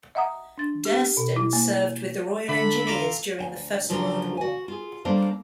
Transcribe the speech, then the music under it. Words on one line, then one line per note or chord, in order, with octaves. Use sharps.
Durston served with the Royal Engineers during the First World War.
D#5 E5 F#5 A#5 D#6
D4 A6
G4
B2
B2 E4
A#3
D3 A4 B5
F4 A#5 D6
D2 G5 G#5
D2 C#3 F3 F#3 D4 A#4
F#4 G#5
F4 G#4
G3 A#3 D4 A4 C5 F5